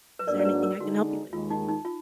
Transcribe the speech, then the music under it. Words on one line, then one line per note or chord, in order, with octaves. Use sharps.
Is there anything I can help you with, and"
B4
G#2 F#3 A#3 D4 F#4 A#4 D5
D5
B4
A#4
D3 G#3 D#4 F#4
D#2 D#3 G#3 F4
D#4
D#4
F4